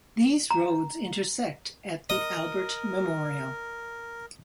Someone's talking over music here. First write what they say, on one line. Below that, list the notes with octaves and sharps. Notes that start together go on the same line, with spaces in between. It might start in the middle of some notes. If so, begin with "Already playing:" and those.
These roads intersect at the Albert Memorial.
A#5
A#4 D#5